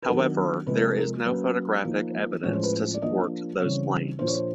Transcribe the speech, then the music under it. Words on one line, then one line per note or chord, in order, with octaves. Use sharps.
However, there is no photographic evidence to support those claims.
B4
D#3 F#3 B3 D4 A#4
C3 F3 G#3 B4
A#4
A4
A#4
F#3 A#3 C#4 B4
F3 A#3 D#4
A2 F3 G#3 C#4 C#5
C5
B4
C5
D5
F3 A#3 D4 D#5
C#3 E3 G3 C4 C#5
A#2 F3 A#3 D4 C5
C#5
C5